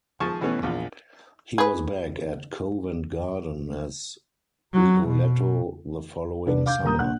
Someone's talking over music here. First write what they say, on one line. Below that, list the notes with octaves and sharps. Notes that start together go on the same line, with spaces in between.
He was back at Covent Garden as Rigoletto the following summer.
F3 G#4 G#5 A5 C#6
B2 E3 A3 B3 C#4
A#1 E2 F4
G#4 B4
F#3
B2
C2 D4 B4 D5
F5 D6 G6
D#1 A#4 A#5 D#6 G6
A#1 F#5 F#6